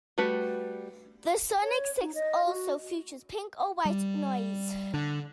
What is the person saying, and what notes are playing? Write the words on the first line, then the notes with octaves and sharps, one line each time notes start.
The Sonic Six also features pink or white noise.
G3 A3 F#4 B4
C#5
D#4
D#5
F#4
G3
D3